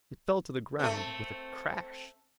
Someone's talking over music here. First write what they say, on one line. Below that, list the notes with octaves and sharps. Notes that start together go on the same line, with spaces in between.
It fell to the ground with a crash.
A3 C4